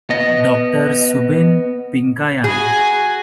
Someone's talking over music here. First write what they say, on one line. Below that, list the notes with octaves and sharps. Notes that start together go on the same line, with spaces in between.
Doctor Subin Pinkayan.
B3 D#5
F#4 G#4 G#5